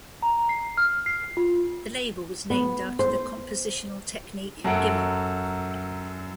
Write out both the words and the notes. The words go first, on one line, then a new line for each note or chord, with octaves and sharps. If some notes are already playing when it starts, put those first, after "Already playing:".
The label was named after the compositional technique gymel.
A#5
C7
F6
C7
F4
B3
C5
F#2 F#3 A4 F#5 D7